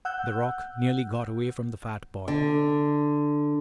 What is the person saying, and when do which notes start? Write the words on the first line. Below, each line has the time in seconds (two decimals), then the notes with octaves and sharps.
The rock nearly got away from the fat boy.
0.05 F#5 E6 F#6 G6
2.28 D3